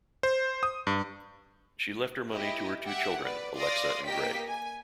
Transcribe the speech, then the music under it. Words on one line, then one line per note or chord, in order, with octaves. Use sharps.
She left her money to her two children, Alexa and Greg.
C5
D#6
G2
E4 G4 D#5
G4 E5 F#5
B4 D5
D5 F5 C6 D#6 A#6
A#3 G4 D#5 G5 B6
G#5